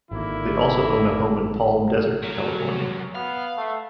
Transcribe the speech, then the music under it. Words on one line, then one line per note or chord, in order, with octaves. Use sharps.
They also own a home in Palm Desert, California.
G#1 D3 A#3 E4
G2 F#3
B3 F5
A3